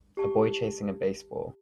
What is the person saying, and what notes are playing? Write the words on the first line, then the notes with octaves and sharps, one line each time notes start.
A boy chasing a baseball.
G4 A5 C#6